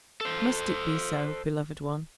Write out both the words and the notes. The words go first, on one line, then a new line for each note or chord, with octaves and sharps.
Must it be so, beloved one?
A4 C5